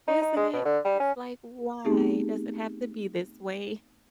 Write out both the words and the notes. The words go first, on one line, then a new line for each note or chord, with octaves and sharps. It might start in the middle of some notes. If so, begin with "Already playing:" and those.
Isn't it? It's like, "Why does it have to be this way?"
D#4
D#4
G#3
B2
D3
G3
C#4
A3 B3 C4 D#4 G4 G#4